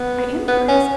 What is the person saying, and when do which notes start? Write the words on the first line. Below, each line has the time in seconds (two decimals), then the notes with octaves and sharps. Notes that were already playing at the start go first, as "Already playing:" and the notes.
I am curious
Already playing: B3
0.48 B3
0.68 C#4